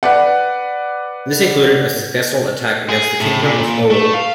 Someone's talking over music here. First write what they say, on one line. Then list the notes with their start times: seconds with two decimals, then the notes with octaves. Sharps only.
This included a successful attack against the Kingdom of Owo.
0.03 B4 D5 F#5
2.89 G#4
3.20 A2
3.42 A#2
3.91 A3
4.14 F5